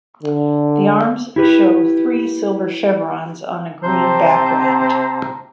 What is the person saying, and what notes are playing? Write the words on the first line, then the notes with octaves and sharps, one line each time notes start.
The arms show three silver chevrons on a green background.
D3
E4 G4 B4
C3 C4 C5 A5 A#5